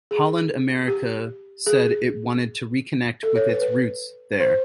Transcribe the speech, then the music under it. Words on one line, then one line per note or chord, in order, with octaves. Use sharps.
Holland America said it wanted to reconnect with its roots there.
G#4
G4
G#4
A4
C#5
B4
B4
C5